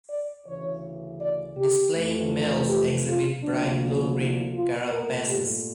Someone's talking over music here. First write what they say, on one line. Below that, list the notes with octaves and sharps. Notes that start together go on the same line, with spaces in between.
Displaying males exhibit bright blue green carapaces.
D5
D2 C#3 E3 C#5
D5
G4
F2 E3 A3
G4
F4
D2 D3 F3 A#3 D4
E4
F4
A#2 A3 A#4
G4